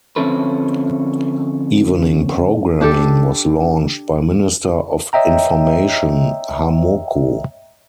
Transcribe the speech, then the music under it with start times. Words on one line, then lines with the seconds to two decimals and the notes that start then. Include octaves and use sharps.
Evening programming was launched by Minister of Information Harmoko.
0.16 D3 F3 C4 C#4 A4 B4
2.81 D4 G4 A4
5.13 C#5 D#5 E5 G5 A#5